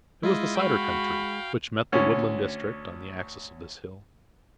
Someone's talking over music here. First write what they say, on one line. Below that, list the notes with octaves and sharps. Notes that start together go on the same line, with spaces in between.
It was the cider country, which met the woodland district on the axis of this hill.
G#3 E4 F4 D#5
F#4 F5 G5 B5
D2 C#4